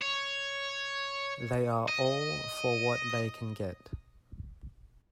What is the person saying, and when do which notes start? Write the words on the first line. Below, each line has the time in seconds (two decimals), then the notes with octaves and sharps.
They are all for what they can get.
0.01 C#5
1.88 D#5